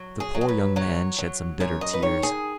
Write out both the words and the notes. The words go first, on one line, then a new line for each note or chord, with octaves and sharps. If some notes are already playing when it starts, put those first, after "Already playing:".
The poor young man shed some bitter tears.
Already playing: F#3
G#4
F#3
G#4
B4
F#3 C#5
F#3
F#2 C#5
D#5
B4
D#3 C#5
G#4